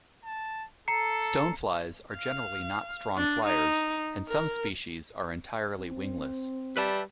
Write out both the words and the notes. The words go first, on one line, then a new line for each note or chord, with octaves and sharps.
Stoneflies are generally not strong fliers, and some species are entirely wingless.
A5
A4 A#5 C7 C#7
F5
D4
D#4
A#4
C4
G3 B4 E5 A5